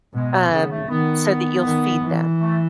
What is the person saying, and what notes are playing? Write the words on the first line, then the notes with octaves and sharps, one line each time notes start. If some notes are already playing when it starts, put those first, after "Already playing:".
um, so that you'll feed them.
B2 G#3
A3
C#3 B3
A3
D#3 B3
D#3
E3
A3